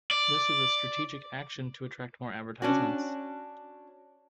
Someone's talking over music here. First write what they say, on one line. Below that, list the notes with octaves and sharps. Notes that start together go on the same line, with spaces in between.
This is a strategic action to attract more advertisements.
D5
C#4 D4 F#4